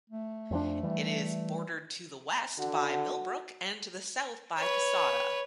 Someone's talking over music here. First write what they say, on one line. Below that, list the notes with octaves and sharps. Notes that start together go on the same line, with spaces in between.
It is bordered to the west by Millbrook and to the south by Coosada.
A3
F2 F3 D4
E3 G3
D3 F#4 F#5
B4 C#5